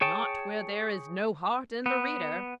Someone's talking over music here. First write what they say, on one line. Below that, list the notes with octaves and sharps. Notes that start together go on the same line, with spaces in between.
"Not where there is no heart in the reader."
G#4 C#5 G5 A5
B3